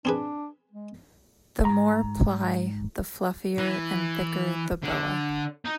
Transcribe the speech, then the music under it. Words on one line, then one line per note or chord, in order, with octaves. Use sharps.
The more ply, the fluffier and thicker the boa.
C4 D4 G#4 B4
G#3
G#2 A#5
E3
D3
D#4